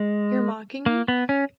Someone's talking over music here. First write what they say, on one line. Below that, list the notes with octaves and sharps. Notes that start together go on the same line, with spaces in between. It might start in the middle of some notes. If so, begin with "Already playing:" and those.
You’re mocking me?
Already playing: G#3
A#3
B3
C#4